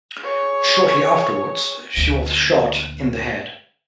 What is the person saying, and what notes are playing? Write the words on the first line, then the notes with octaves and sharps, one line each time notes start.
Shortly afterwards, she was shot in the head.
G#4 C#5
D2 A#2